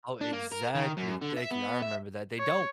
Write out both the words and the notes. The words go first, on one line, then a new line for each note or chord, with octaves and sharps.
Oh, exactly, thank you, I remember that. They don't,
D4
A#3
A#4
D#3
F#2
D3
E5
B3
E5
C#5